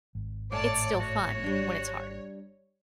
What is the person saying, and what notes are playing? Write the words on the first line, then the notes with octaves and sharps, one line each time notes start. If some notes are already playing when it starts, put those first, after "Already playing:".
it's still fun when it's hard.
G#1
A2 C#5 D5 A5 D6
F#4 C#5
G3 D4